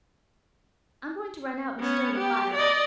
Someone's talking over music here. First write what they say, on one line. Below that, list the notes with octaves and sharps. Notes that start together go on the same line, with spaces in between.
I'm going to run out and stir the fire up.
B3 C#4
G4
D5 D#5